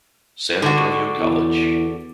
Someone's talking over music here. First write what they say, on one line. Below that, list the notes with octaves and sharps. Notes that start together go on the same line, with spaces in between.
San Antonio College.
D3 F#4
E2